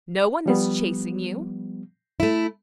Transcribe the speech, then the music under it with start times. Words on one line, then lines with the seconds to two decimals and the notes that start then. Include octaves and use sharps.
No one is chasing you.
0.46 F3 G3 B3
2.20 A3 E4